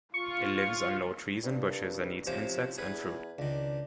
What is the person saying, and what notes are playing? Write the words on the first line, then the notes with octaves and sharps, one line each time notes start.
It lives on low trees and bushes and eats insects and fruit.
F4 C#6
G2
C3 F3 C#4 C5
E2 G#4 B4
C#2 D#3 D4